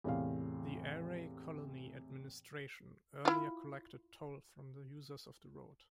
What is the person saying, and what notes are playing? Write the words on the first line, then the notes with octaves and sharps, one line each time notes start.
The Aarey Colony administration earlier collected toll from the users of the road.
E2 A2 C3 F5
E4 F4